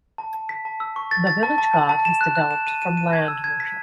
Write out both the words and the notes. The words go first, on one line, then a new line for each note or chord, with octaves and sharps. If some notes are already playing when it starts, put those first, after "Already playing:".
The Village God has developed from land worship.
A5
A5
B6
A5
E6
C#6
A6
A6
A5
A5
A5
A5
E7
F#6
F#6
E7
D#7
D#7
D#7
G#6
E6
G#6
B6